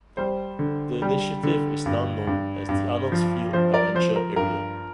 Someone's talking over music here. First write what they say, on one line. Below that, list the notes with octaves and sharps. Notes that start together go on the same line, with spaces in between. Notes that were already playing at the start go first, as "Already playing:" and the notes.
The initiative is now known as the Arnoldsfield Adventure Area.
G3 C5
D3
G3
D3
G2
G2
G2
F3
F3 C5
A#4 D5
F3 C5
A#4
G2 A#4